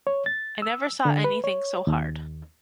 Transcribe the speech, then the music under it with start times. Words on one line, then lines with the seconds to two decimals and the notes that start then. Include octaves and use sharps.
I never saw any thing so hard.
0.07 C#5
0.26 A6
0.62 E6
1.05 D3
1.24 B4
1.44 C#5
1.87 D#2